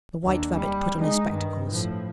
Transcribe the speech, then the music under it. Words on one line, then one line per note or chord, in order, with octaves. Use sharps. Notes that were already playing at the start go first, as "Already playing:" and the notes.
The White Rabbit put on his spectacles.
D#2 D4
G3
G#3 D#4
G2 D#3
A2 F3